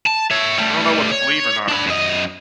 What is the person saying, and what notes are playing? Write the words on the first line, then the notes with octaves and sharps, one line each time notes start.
I don't know what to believe or not.
A5
C#5 E5
G3 A3
C#5
D4 B5
F#2 D#5